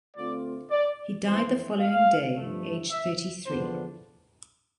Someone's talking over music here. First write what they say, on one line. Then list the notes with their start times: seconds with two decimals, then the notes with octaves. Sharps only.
He died the following day, age thirty-three.
0.16 D3 A3 C4 F4 D5
0.71 D5
1.26 F2 E3 B3 E4 C5
1.81 F5
2.37 G2 F3 A3
2.91 E5
3.46 E2 D3 F3 B3 D4 C5